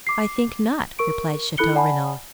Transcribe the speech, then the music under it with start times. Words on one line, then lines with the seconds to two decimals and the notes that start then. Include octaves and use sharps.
"I think not," replied Chateau-Renaud.
0.07 D6 C7
0.99 A#4 C#6 D7
1.57 E4 A4 B5 F#6 C#7 G7
1.75 D5 F#5 G#5 A5 B5